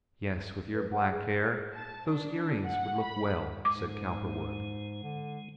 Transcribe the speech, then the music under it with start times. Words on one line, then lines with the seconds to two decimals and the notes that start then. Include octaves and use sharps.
"Yes, with your black hair those ear-rings would look well," said Cowperwood.
0.74 B4
0.92 F#5
1.11 G#4
1.75 A5
2.09 D4
2.65 F#5
3.02 B5
3.65 G#2 G#3 D6
5.03 D3